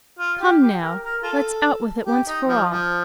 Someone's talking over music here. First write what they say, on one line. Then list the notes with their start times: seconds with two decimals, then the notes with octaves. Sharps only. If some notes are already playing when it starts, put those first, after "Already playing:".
Come now, let's out with it once for all.
0.19 F4
0.40 G4
0.61 G4
0.82 A#4
1.02 A#4
1.23 F4 A4
2.07 G4
2.27 D#4
2.47 F3
2.68 F3